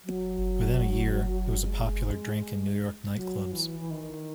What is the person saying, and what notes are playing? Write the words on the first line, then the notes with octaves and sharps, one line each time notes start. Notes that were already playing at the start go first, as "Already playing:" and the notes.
Within a year, it was a popular drink in New York night clubs.
F#3
G#3
F#3
E3
E3
D#3